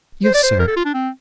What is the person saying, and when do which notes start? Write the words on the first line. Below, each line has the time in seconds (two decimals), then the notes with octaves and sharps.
"Yes, sir."
0.25 C5
0.34 D5
0.43 C5
0.59 A#4
0.68 A4
0.76 F4
0.85 D4
0.94 C4